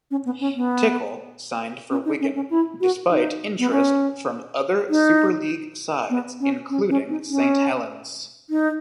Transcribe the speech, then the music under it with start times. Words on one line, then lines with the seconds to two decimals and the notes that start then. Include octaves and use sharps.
Tickle signed for Wigan despite interest from other Super League sides, including Saint Helens.
0.11 C#4
0.25 B3
0.41 C#4
0.56 B3
1.90 C#4
2.05 D#4
2.21 C#4
2.36 C#4
2.50 E4
2.81 F#4
3.10 D#4
3.59 B3
3.71 C#4
4.90 D#4
6.10 B3
6.40 C#4
6.70 C#4
6.90 C#4
7.10 D#4
7.30 C#4
8.50 D#4